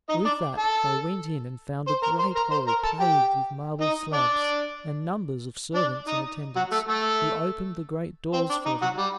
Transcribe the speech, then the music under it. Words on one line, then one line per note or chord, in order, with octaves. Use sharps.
With that they went in and found a great hall paved with marble slabs, and numbers of servants in attendance, who opened the great doors for them.
D#4 D#5
D4 D5
A4 A5
C5 C6
A#4 A#5
C5 C6
A#4 A#5
C5 C6
A#4 A#5
A4 A5
G4 G5
D#4 D#5
D4 D5
D4 D5
D#4 D#5
F#3 F#4
A3 A4
A3 A4
C4 C5
D4
D#4
F#3 F#4
G3 G4